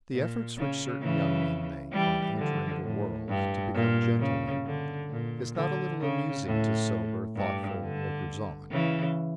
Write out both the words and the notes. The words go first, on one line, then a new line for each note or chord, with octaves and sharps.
THE efforts which certain young men make, on entering the world, to become gentlemen, is not a little amusing to sober, thoughtful lookers on.
A#2
C#3
C#3 E3
E3 G3
D3 F3
A2
G2
A#2
C#3
D3
A#2
D3
C#3
A2
G2
D3
C#3 E3